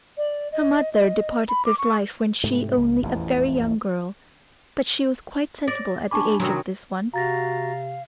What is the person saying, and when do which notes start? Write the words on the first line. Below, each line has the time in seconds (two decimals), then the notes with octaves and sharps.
Her mother departed this life when she only a very young girl, but she was quite sensible at the age of this one.
0.17 D5
0.52 D#5
0.93 D#5
1.48 B5
1.65 D6
1.78 C#6
2.44 G#2 C3 A3
2.77 C#2
3.03 E1 A1 F2 E3
5.68 D5 A6 A#6
6.11 D4 G#5 A5 B5 C#6 D6
6.40 C3 D#3 F#3 C6 D#6
7.14 C3 F#4 F5 A#5 A6 A#6